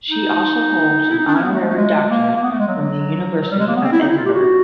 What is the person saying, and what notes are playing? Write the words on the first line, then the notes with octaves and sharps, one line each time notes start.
She also holds an honorary doctorate from the University of Edinburgh.
D#4
E4
D#4
D4
C#4
B3
A3
G#3
A3
G#3
A#3
A#3
B3
A3
G#3
F#3
F#3
G3
G#3
A#3
B3
C4
E4
D#4
E4
F4
G4
F#4